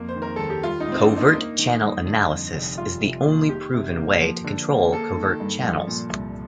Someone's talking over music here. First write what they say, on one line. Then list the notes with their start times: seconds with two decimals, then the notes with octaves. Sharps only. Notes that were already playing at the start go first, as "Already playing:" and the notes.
Covert channel analysis is the only proven way to control covert channels.
Already playing: F2 A#3
0.09 C5
0.16 D#3
0.22 A#4
0.36 D#2 A4
0.50 G4
0.63 G3 F4
0.80 D#4
0.87 A2 C4
0.99 D4
1.11 A#3
1.17 D#4
1.34 A#3
1.59 D#3
1.82 G2
2.06 D3
2.30 F2
2.53 F1
2.77 G3 F4
3.02 C3
3.26 A#3
3.49 D#3 G4
3.74 C3
3.97 A#3
4.21 F3
4.44 D3
4.68 A#3
4.92 A#3 A4
5.17 D#3
5.40 G2
5.64 F3
5.87 A#2
6.11 C2